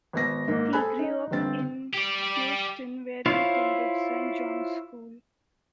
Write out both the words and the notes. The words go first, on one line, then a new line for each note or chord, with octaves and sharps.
He grew up in Houston, where he attended Saint John's School.
G#1 B3 A#6
G#2 A#3
G#4 A4 C5 G#5 B5 F#6
D#4
G1 D3 C4 A6
G4 D5
E4 F4 C5 C#5 F5